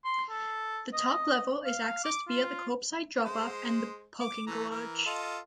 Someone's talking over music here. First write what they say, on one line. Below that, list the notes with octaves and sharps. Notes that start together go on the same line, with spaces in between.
The top level is accessed via the curbside drop off and the parking garage.
C6
A4
D#5
F5
D6
F4
G#3 C5
D6
E3 A3 A#5
E3 A#4
F4 A4 D#5